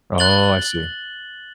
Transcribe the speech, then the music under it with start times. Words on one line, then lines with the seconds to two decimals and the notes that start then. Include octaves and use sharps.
Oh, I see.
0.18 F#6 A6 F#7 G7